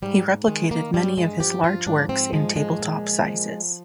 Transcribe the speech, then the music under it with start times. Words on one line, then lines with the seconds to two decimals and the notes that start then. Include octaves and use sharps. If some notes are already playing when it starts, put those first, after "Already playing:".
He replicated many of his large works in table-top sizes.
0.02 G#2 G3
0.47 D#3 G#3
0.71 A#3
0.94 G2 G3
1.18 G#3
1.40 F3 G4
1.64 F4
1.86 G#2 D4
2.09 C4
2.33 F3 G#3
2.56 G#3
2.79 A#2
3.26 F3